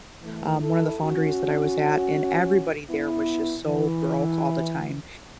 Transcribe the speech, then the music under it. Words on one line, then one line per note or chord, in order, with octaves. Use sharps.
um- one of the foundries that I was at- and everybody there was just so broke all the time.
E3 A3
E4 A4
C#4 F#4
B3 E4
E3